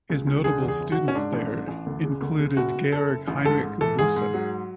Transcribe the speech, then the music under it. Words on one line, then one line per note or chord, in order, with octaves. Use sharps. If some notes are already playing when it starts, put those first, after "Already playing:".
His notable students there included and Georg Heinrich Busse.
C#2
C#2
D3 G#4
E2
G#4
F#1
F#4
F#1
C#4
G#2 D4
A1
A1
A1
D2
C#3
D2
C#3
F#1 F#4
F#1
F#1 A4
F#1
A1
G#2 A4
G#2
E3 A4
G#2 G#4
G#2
F#3